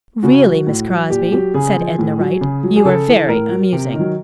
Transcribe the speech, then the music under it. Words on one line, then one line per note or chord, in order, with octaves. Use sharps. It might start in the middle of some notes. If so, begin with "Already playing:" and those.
"Really, Miss Crosby," said Edna Wright, "you are very amusing."
C#3 F#4
F#3
A2
F#3
A#2 G4
F#3 G4
C#3 G#4
F3
A2
F#3
C#3
F#3
G#4
C#3 A4
E3
A2 A#4
F#3
C3
D#3
F#3